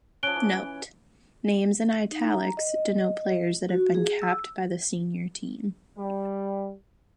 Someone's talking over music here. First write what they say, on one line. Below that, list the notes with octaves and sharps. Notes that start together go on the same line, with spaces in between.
Note: Names in "italics" denote players that have been capped by the senior team.
F3 C#4 F#6 D7 G7
E3
D#4
A#5
D#5
F#4
G#4
E6
G3